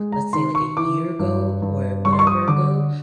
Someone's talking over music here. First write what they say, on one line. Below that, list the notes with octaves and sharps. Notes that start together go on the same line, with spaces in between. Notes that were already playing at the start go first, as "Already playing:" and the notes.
let's say, like, a year ago or whatever ago,
Already playing: G#3
A#5
D#3 C6
C#6
E3 D6
G2
G2
G3 C#6
C6
C#6
D#6
D3 D6